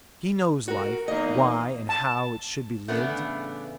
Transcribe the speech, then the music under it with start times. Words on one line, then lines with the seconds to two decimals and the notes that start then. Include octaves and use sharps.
He knows life, why and how it should be lived.
0.68 F#4 A#4
1.08 E2 A#3 D#4 D#5
1.89 A5
2.88 A2 C#3 E3 A3 B3 D4